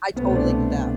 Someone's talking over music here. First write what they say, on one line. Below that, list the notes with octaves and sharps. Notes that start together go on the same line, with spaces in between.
I totally get that.
C2 B2 A3 B3
C4
D4